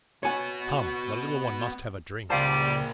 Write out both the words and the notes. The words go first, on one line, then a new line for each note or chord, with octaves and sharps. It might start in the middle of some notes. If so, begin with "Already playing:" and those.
Come! the little one must have a drink.
B3 F#4 C#5 G#5
C#2 A#2 G3 C5 F5 A5